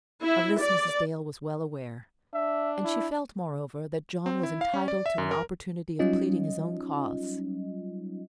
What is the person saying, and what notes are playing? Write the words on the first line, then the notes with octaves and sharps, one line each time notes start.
Of this Mrs. Dale was well aware; and she felt, moreover, that John was entitled to an opportunity of pleading his own cause.
E4
D5
D4 E5
E4
C4
E4
F5
C#4
D5
E5
F#2
A#4
F#3 G3 C#4 D#4 F4 D#5